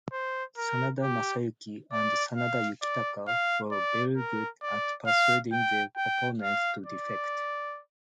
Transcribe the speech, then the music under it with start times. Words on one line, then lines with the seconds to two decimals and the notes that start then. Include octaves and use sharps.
Sanada Masayuki and Sanada Yukitaka were very good at persuading their opponents to defect.
0.13 C5
0.58 A#4
1.03 G4
1.93 D5
2.37 F5
2.82 D5
3.28 F5
3.72 D5
4.17 A#4
4.63 D5
5.07 F5
5.52 G5
5.97 G5
6.42 F5
6.87 D5